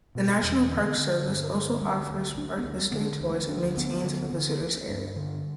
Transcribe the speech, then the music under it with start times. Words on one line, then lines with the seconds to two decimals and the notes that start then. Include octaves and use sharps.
The National Park Service also offers park history tours and maintains a visitors area.
0.15 B2
0.28 G3
0.43 E2
0.49 E3
0.70 D3
0.98 D3
1.26 G2
1.54 D3 G3
1.81 D2 G3
2.10 D2
2.37 D2 D4
2.58 B3
2.66 D2
2.79 G3
2.91 D3 B3
3.00 D4
3.21 D2
3.48 D3 D4
3.77 D2 B3
4.04 D3
4.33 D3
4.61 D2
4.88 G2
5.16 D3